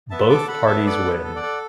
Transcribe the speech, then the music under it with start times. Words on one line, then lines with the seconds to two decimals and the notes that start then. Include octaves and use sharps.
Both parties win.
0.11 B3 E5 A5
0.29 A4 A5 D6
0.48 A4 F#5 B5
0.67 B3 E5 A5
0.85 A4 D5 F#5
1.05 B3
1.24 A4
1.36 D5 F#5
1.43 A4